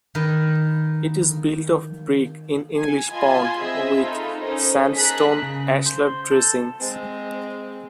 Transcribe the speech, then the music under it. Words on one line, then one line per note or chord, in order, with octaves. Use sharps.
It is built of brick in English bond with sandstone ashlar dressings.
D#3 A#4 B4
G#5
F4 D#5 G#5 A5 B5 C6
C4 G#4 D#5 E5
D#4 F4 A4 B5
C#4 D#4 A4 A#4 C5 D#5
G#4 A#4 A5 F#6 B6
C#3
C5
A4
G#3 C4